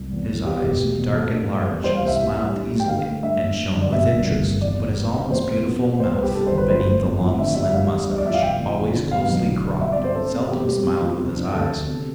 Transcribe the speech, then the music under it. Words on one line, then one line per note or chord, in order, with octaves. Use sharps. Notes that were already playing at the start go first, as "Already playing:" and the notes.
His eyes, dark and large, smiled easily, and shone with interest, but his almost beautiful mouth, beneath the long slim mustache, always closely cropped, seldom smiled with his eyes.
Already playing: C2
E2
E2
B3 G4
E1
A3
B2
F2 A4
D4
G3
E2
G3 C5
F5
C2
E5
E3
G3
D4
A3
G5
D3 F5
A3
G2 E5
G2
G2
D3
D5
B2 E5
C2
G1
F2
E2 D5
G3
B3
D4
F2 C5
C3
B3
B3
C2 C5
B4
C2
G4
G2 A4
C5
G1
B4
F3 C5
A3
C4
F3
D3 E5
G3 E5
G3 F5
E2
G2
D5
F3 E5
F5
F1 G5
F3
E2
D3
B3 F5
B1
D3
D3
G2 E5
D5
C4
C5
C4 A4
C4
B2 G4
G3
C4
F3
C3
D4
D2 A4
D2
C3